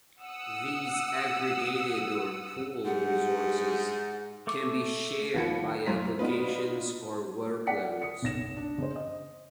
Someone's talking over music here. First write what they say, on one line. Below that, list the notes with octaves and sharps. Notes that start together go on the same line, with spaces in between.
These aggregated or pooled resources can be shared by applications or workloads.
F#5 D#6 E6
G#2 G4 F#5
A3 A4 C#6 D6
D#2 F3 F#5 B5 C#7
F#2 E4 C5 A#5 B6
B3 D4 D#4 F4 B4
D5 F#5 B6 C#7
D#6 C#7
F#1 B1 A#6 E7
D4
C#3 C5
D#5